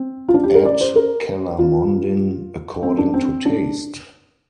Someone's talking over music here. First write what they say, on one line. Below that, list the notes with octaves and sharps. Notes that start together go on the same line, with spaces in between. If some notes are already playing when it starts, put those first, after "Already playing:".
Add calamondin according to taste.
Already playing: C4
F4
D4
G4
A#4
D5
C5
A#4
F4
C4
D4
C4
D4